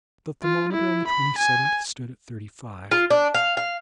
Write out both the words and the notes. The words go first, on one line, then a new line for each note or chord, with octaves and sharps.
The thermometer, on the twenty-seventh stood at thirty-five.
F4
E4
B5
G#5
F4
D4
F5
F5